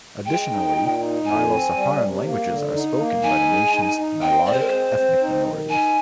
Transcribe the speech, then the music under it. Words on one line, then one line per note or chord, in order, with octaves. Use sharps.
Additionally, Nilo-Saharan languages are spoken by the nation's Nilotic ethnic minorities.
G#3 G5
D#4
A#2
D#4
F2 G#5
C4
G3
C3
A#3
D3
D#4
A#3
D#4 G#5
G#3
D#4
D#4
C4 G5
G#3 D5
C5
A#4
C4 C5
C4
D#4
D#3
D#4 G#5